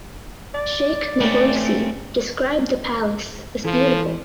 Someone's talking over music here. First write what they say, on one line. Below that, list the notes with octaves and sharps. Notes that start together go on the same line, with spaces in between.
Sheikh Nabulsi described the palace as beautiful.
D5
A3 C4 C#4
E3 F3 A4 F#5